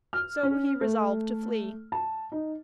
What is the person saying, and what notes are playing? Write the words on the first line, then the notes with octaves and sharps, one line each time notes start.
So he resolved to flee.
F6
C#4
A3
A5
D#4